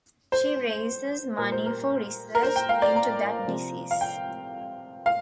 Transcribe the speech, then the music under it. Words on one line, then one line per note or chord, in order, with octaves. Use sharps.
She raises money for research into that disease.
C5
A#2 G3 A#4
C5
A#4
A#4
C5
G5
F5
D5
A#5
C3 F3
F5
G5
F5